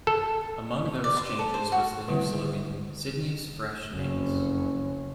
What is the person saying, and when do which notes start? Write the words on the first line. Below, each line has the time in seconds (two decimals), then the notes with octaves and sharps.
Among those changes was the new slogan "Sydney's Fresh Mix".
0.07 A4
1.04 D5
1.17 C6
1.39 A4
1.54 C5
1.72 F#4
2.08 D3 D#3 G3 E4
3.90 F#1 F2 C#4